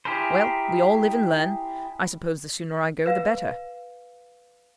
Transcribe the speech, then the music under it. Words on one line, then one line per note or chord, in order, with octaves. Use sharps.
Well, we all live and learn. I suppose the sooner I go the better.
E4 G4 G#4 A#4 C5
B4 F5